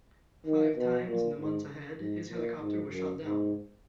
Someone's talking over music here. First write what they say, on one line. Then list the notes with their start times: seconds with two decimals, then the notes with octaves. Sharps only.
Five times in the months ahead, his helicopter was shot down.
0.46 D#3
0.76 B2
1.07 A#2
1.37 G#2
1.98 G#2
2.29 A#2
2.60 G#2
2.90 F#2
3.20 G#2